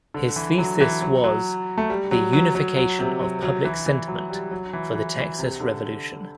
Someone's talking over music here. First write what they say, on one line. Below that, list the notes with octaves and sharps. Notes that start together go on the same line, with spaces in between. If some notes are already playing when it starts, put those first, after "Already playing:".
His thesis was "The Unification of Public Sentiment for the Texas Revolution".
D3
E3
F#3
E3
F#3
F#3
A3
G3
F#3
F#3
F#3
F#3
C3
F#3
F#3
E3
E3
F#3
G3
F#3
E3
E3
E3
C3
D3